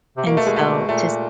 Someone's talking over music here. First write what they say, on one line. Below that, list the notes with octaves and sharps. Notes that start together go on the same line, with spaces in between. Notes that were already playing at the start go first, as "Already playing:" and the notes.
And so to
C3
B2 A#3
A3
G#3
A3
A#2 A3